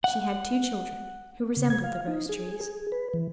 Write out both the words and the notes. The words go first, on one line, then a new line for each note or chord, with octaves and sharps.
She had two children, who resembled the rose trees.
F#5
C#3
G#6
F5
D#4
G#4
G#4
B4
E3